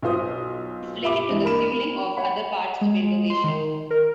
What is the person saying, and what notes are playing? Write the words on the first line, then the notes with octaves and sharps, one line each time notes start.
It is related to the suling of other parts of Indonesia.
B1 F4 C5 D#6
F4 G4 E5 B5 D6
E3 G#3 D4
A#3 A#4 B5 E7
C#5 F#5 B5
G#3
C6
D#3
A#4